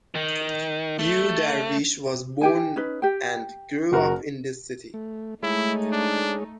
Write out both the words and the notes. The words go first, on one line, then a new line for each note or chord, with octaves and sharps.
Yu Darvish was born and grew up in this city.
D#3
A3
G4 G5 G#5
C#4 D#4 B4
G4 G5
F#1 F#4 A#4
A3
G#3 A3 D#4 E4 G#4 C#5
D4